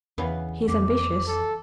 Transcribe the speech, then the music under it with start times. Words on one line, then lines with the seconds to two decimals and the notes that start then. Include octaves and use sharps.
"He is ambitious."
0.18 E2 C#3 E3 B3
0.68 F2 D6
1.27 A4